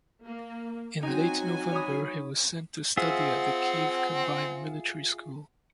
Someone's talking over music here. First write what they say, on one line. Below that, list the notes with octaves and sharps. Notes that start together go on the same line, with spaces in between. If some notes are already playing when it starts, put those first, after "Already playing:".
In late November he was sent to study at the Kiev Combined Military School.
A#3
F#3 C4 D#4 F#4 G#5
C#5 B5 D#6
C4 F4 G#4 E5 F#5